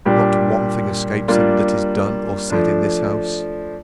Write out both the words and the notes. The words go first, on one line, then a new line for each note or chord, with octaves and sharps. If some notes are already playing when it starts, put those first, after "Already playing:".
Not one thing escapes him that is done or said in this house.
A#2 G3 D4 G4
G3 A#3 D4 F4
F3 A3 D4